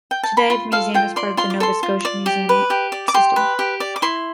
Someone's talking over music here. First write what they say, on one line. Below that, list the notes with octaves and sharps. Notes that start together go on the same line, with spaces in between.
Today the museum is part of the Nova Scotia Museum system.
G5
A5
B5
F4 C6
A4 F5
F4 G5
D5 C6
F4 C6
D6
A4 C6
F4
D5
G4
B4
G4
D5
D6
G4 C6
B4
G4
D5
D6
E4 C6